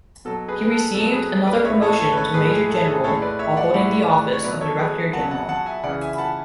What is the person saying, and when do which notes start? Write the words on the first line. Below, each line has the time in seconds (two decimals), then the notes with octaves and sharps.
He received another promotion to major general while holding the office of director general.
0.25 B2 F#3 A4
0.48 G#4 B4
0.64 B4
0.71 A4
0.94 B2 F#3 A4
1.12 G#4 B4
1.47 B4 D5
1.64 G#3 C#5 E5
1.69 A2
1.82 A4 C#5
2.00 A4 C#5
2.12 B4
2.17 A4 C#5
2.34 A2 G#3 G#4 B4
2.52 G#4
2.70 A4
2.80 G#4
2.87 A4
3.04 A2 A4 C#5
3.08 G#3
3.22 B4 D5
3.39 C#5 E5
3.57 D5 F#5
3.74 A2 G#3 D5 F#5
4.09 B4 D5
4.33 C#5
4.43 B2 F#3 B4 D5
4.61 A4 C#5
4.79 G#4 B4
5.13 B2 F#3 F#5 A5
5.31 F#5 A5
5.49 F#5 A5
5.66 E5 G#5
5.84 C#3 D5 F#5
5.86 E3 G#3
6.01 E5 G#5
6.14 B5
6.18 F#5 A5